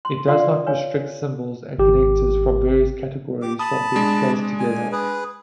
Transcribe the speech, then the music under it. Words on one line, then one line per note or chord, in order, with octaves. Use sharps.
It does not restrict symbols and connectors from various categories from being placed together.
C6
F4 A4 D5 F5 F#5 C6
B4 C#5 F5 G#5
G#1 G4
G4 D6
A5 B5 D#6
G#3 D4
G#5
G#4 B4